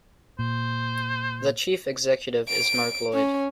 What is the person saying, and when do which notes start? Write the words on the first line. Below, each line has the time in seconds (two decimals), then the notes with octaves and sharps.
The Chief Executive is Mark Lloyd.
0.39 A#2 C5
2.48 D7
3.14 C#4